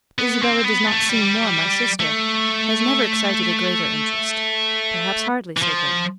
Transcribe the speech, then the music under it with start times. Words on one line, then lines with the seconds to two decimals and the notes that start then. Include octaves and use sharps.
Isabella does not seem more my sister; has never excited a greater interest; perhaps hardly so great.
0.19 B3
0.42 C4
0.64 B3
0.87 A3
1.09 G3
2.00 A3
5.57 E3
5.62 F3